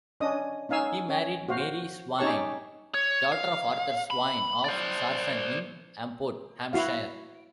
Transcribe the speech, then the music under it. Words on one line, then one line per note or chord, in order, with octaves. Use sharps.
He married Mary Swayne, daughter of Arthur Swayne of Sarson in Amport, Hampshire.
C#4 D4 D#5 D#6
C#4 D#4 F5 G#5 E6
C#4 C#5
F#4 C5 F5
C#4 D#4 G4 C#5 A5 C#6
C#5
F5
B5
C5 D5
E4 F#4 F5